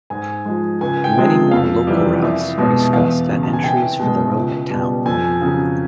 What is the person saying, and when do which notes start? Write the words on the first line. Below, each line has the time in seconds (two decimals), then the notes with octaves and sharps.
Many more local routes are discussed at entries for the relevant town.
0.10 G#2 G#5
0.45 F3 G#3
0.81 C#2 G#5
1.04 G5
1.16 C3 F3 G#3
1.51 F2 F5
1.87 C3 E3 G3
2.23 C2
2.58 B2 G#3
2.93 E2 F5
3.29 C#3 F#3
3.43 A5
3.53 G#5
3.64 C2 G5
3.99 B2 G#3
4.35 C#2
4.70 B2 G3
5.05 F2 G#5
5.41 C#3 F#3